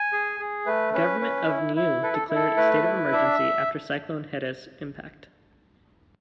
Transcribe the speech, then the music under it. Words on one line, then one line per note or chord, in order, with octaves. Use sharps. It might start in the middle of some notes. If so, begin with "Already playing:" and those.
The government of Niue declared a state of emergency after Cyclone Heta's impact.
Already playing: G#5
G#4
G#4
A3 B4
C#4 B4
C#4
E4
E4
A4 B4
A4
E4
A4
A3 B4
E4
D4 E5